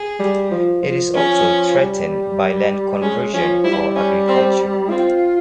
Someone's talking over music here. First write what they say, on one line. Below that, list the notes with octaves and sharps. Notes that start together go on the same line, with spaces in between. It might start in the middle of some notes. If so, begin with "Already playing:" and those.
It is also threatened by land conversion for agriculture.
Already playing: G#4
G3
F3
F3
F3 C#4
G3
G#3 C#4
F3 C#4
G3 E4
C#4
C4
C4 F4